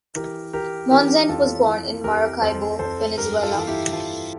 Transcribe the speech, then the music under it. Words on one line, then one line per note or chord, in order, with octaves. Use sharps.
Monzant was born in Maracaibo, Venezuela.
E3 G4 A#4
E3 G4 A#4
E3 G4 A#4
F2 F4 A4
E3
F2 G4 A#4
F2 A4 C5
F2 A4 C5
G2 G4 A#4
F4 A4
E3
E4 G4
E3 F4 A4